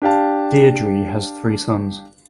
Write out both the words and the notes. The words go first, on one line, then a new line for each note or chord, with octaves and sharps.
Deirdre has three sons.
D4 G4 F5 A5